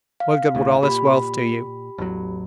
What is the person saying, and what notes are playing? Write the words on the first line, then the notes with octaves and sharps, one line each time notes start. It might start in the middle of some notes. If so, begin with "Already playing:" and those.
What good would all this wealth do you?
F5
D2 A2
A#2 G4 B5
A1 E2 F#3